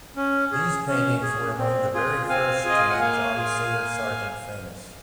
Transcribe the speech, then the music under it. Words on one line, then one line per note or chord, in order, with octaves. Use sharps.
These paintings were among the very first to make John Singer Sargent famous.
C#4
G#4
C#4
G#4
C4
F4 G#4
C4 F5 G#5
F4 G#4 D#5
F5
F#5
A#3 F5 G#5
F4 G#4
A#3